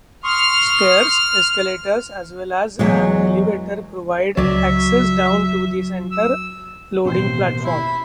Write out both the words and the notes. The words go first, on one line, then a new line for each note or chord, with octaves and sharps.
Stairs, escalators, as well as an elevator provide access down to the centre-loading platform.
C6 C#6 D#6 F6
E2 F#3 G#3
C#2 F#3 D5 E5
E6
A1 D#2 B2 C5
E4 B5